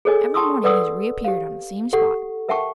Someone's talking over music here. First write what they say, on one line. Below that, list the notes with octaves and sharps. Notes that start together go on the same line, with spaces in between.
Every morning he has reappeared on the same spot.
G#4 A4 C#5 D#5 G#5
G5 A5 C6 C#6 D#6 E6
A4 B4 D5 F#5 D#6 E6
G4 F5
G4 A4 F#5 C#6
A#4 E5 F#5 G5 A5 C#6